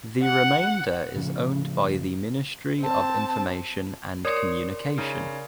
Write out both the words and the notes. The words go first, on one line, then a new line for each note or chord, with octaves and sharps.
The remainder is owned by the Ministry of Information and Communication.
F#5
A2 C#3 F3
C4 A5
A#4 C#5 D5 C6 D#6 C#7
C#3 D#4